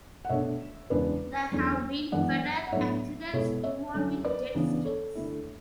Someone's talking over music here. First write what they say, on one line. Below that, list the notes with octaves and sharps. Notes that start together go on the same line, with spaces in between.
There have been fatal accidents involving Jet Skis.
F#5
B2 A3 D4 C#5 E5
E2 C#3 G#3 D4 B4 D5
E2 D3 F#3 C#4
F#2 E3 G#3 B3 D4 D5 F#5
F#5
A2 F#3 B3 D4 C#5 E5
B2 G#3 B3 E4 A4 C#5
C#5 E5
D3 F#3 C#4
B4 D5
C#3 E3 B3 D4
A4 C#5
D3 A3 E4